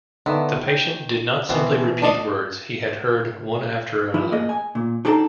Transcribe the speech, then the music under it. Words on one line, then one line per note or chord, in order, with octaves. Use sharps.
The patient did not simply repeat words he had heard one after another.
D3 D#3 B3 E5
G5
B2 E3 B3 C4
D4 D5 D#5
F3 E4
A#3 G#4 D#5
G#5
A#2
D4 D#4 G#4 A4 G5 A#5